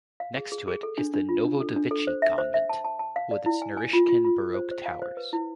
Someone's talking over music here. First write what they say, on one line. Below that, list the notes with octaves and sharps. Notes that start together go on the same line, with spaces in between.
Next to it is the Novodevichy Convent, with its Naryshkin Baroque towers.
F5
G#4
G#4
G#4
A4
D4
D4
F4
D4
A4
D4
A4
C5
E5
C5
E5
A5
A5
A5
F5
D5
E4
G#5
G#5
F4
F4
F4
G#4
C5
C5
F5
C5
B4
E4